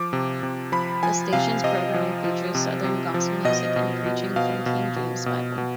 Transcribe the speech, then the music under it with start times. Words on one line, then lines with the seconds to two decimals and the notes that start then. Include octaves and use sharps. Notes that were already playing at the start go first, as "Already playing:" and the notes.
The station's programming features Southern gospel music and preaching from the King James Bible.
Already playing: F3 D6
0.13 C3
0.43 C3
0.72 F3 B5
1.03 F3 G#5
1.33 C3 F5
1.64 C3 D#5
1.94 F3
2.24 F3
2.55 C3
2.84 C3
3.14 F3
3.45 B2 D#5
3.76 B2
4.06 B2
4.36 B2 F5
4.66 B2
4.96 B2
5.26 B2
5.58 B2